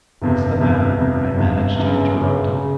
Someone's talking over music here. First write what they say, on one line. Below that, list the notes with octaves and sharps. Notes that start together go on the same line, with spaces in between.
"What's the matter?" I managed to interrupt him.
G1 F2 C3
G1 F2 C3
G1 F2 C3
G1 F2 C3
G1 F#2 C#3
G1 F#2 C#3
C#3